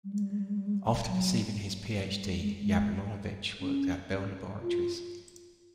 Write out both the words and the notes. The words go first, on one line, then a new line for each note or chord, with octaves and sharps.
After receiving his Ph.D., Yablonovitch worked at Bell Laboratories.
G3
G#3
G3
G#3
G3
G#3
G3
G#3
G3
F#3
G3
G3
G#3
G#3
C#4
F4